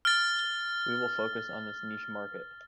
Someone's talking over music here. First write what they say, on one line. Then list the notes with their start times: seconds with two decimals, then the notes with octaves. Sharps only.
We will focus on this niche market.
0.05 F6 A6